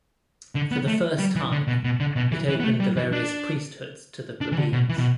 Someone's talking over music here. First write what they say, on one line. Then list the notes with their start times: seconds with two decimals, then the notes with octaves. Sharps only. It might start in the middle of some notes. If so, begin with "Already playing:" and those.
For the first time, it opened the various priesthoods to the plebeians.
0.55 D3
0.72 B3
0.87 A3
1.19 G3
1.36 E3
1.52 D3
1.68 B2
1.84 B2
2.00 D3
2.16 B2
2.32 E3
2.48 E3
2.60 B3
2.64 A3
2.80 G3
2.96 E3
3.12 D4
4.41 D4
4.52 E3
4.58 D3
4.73 B2
4.89 E3
4.98 B2